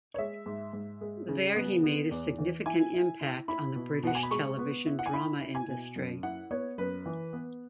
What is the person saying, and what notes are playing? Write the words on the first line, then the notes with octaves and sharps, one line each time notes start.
There he made a significant impact on the British television drama industry.
C#5
G#3 E5
G#2
G#2
G#3
C#3
B3
B3
E2
E3
E4 G#5
E4
E4
E4 B5
B2
B2 F#5
G#5
B5
G#3 C#6
B3
E4
F#5
G#5
E4 B5
E4
G#5
B2
F#2
E4 F#5
B3 C#5
F#2 B4
E3
B3